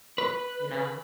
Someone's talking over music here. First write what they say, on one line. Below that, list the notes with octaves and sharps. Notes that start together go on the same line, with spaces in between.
you know?
B4